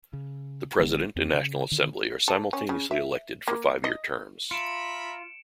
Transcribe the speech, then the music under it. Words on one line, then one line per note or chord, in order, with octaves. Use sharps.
The President and National Assembly are simultaneously elected for five-year terms.
C#3
G1 D3 G#3 B3
E2 C4
C#3
D3 D#3
A4
C#4
C#3
E5
A#3
D#5
F4 E5 A#5 B5 C#7 D7 E7